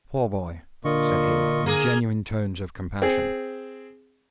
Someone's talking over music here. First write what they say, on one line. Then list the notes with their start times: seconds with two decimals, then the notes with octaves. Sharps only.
"Poor boy!" said he, in genuine tones of compassion.
0.85 A#2 D3 F4 D#5 C#6
1.66 A#3 G#4 A#5
3.02 C4 G#4